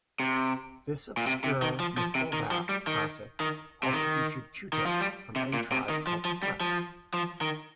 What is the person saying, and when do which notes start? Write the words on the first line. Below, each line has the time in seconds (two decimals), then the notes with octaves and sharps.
This obscure, mythical rap classic also featured Q-Tip from A Tribe Called Quest.
0.20 C3
1.17 A#2
1.27 C3
1.44 C3
1.62 D#3
1.80 F3
1.98 F3
2.15 C3
2.33 D#3
2.51 F3
2.69 G3
2.87 D#3
3.40 D#3
3.83 C3
3.93 D#3
4.73 D#3
4.86 F3
5.00 G3
5.36 C3
5.53 A#2
5.72 C3
5.89 D#3
6.07 F3
6.25 F3
6.43 G3
6.61 F3
7.14 F3
7.41 D#3